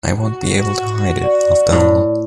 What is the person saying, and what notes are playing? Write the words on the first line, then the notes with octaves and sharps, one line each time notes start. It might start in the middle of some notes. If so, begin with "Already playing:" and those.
I won't be able to hide it after all.
F#4
D5
A2